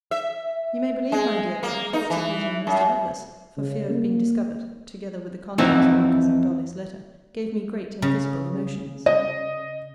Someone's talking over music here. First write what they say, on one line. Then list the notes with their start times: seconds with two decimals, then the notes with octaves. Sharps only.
You may believe, my dear, that the thoughts of meeting Mr. Lovelace, for fear of being discovered, together with the contents of my cousin Dolly's letter, gave me great and visible emotions.
0.11 E5
1.12 G#3
1.63 A#3
1.93 D#4
2.10 E3
2.67 F#2
3.57 C#3
3.90 A#3
5.58 F2 E3 C4 D#4 E4 F#4
8.02 C#3
9.06 D#5